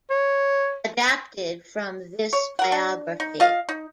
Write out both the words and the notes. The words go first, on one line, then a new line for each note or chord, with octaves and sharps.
Adapted from this biography.
C#5
C#5
A#4 F#5
D4
D#4
F4 D#5 F5
D#4